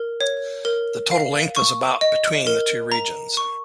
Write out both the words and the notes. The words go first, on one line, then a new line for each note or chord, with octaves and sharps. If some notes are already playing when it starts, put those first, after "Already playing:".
The total length is about between the two regions.
Already playing: A#4
C#5
A#4
F5
C#6
D#5
A#4
A#5
C#6